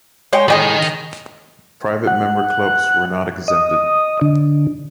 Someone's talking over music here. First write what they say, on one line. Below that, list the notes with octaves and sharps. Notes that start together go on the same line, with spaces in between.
Private member clubs were not exempted.
G#3 C#5 G5
A2 D#3 G3 G#3 D#5
F#5
D#5
D3